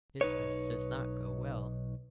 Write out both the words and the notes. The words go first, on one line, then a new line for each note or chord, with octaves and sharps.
'Business does not go well.
B1 D#4 B4 C#5